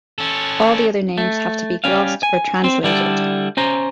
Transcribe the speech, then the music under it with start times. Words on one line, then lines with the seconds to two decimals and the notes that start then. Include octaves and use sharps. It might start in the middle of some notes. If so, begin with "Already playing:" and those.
All the other names have to be glossed or "translated".
0.18 C#4 A4
1.18 A3
1.84 G3 C#4 F5
2.23 G#5
2.64 C4 C5
2.83 D3 G3 E4 A4
3.57 C#4 C5 A#5